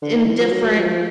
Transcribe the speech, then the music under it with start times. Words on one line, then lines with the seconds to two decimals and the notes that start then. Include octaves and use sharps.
in different
0.02 D3
0.14 D#3
0.26 E3
0.38 F3
0.51 F#3
0.64 F#3
0.77 F3
0.90 F3